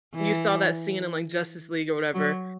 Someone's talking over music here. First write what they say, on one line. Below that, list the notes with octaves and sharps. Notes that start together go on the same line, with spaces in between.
you saw that scene in, like, Justice League or whatever,
E3
F#3